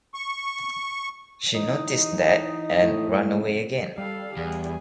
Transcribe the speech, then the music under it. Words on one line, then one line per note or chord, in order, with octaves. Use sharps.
She noticed that and run away again.
C#6
E3 D#4 D#5
A2
G3 A4 F5
E2 G#4